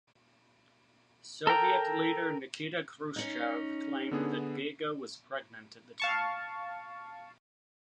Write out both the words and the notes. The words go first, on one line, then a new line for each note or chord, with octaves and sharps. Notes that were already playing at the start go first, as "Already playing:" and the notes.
Soviet leader Nikita Khrushchev claimed that Gega was pregnant at the time.
A4 A#4 G5 A#5
C#4 D#4
D3 B3 G#4
F5 A5 C#6